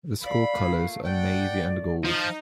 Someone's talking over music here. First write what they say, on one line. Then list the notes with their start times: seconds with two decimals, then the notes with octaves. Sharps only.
The school colors are navy and gold.
0.23 E4 D5 F5 B5
0.55 A3 A#3 F4
1.06 D5 F#5 G5
2.04 F3 D#4